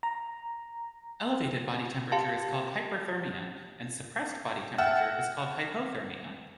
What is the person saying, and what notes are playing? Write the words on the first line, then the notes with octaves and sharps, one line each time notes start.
Elevated body temperature is called hyperthermia, and suppressed body temperature is called hypothermia.
A#5
G4 F5 A5
E5 F#5 G5 A5 F6